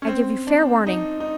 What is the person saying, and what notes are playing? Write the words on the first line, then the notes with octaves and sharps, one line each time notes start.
I give you fair warning.
C#4
C4
D4
D#4
D#4